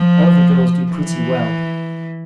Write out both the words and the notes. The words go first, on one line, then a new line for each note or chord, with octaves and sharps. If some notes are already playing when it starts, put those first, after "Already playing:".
All the girls do pretty well.
Already playing: F3
E3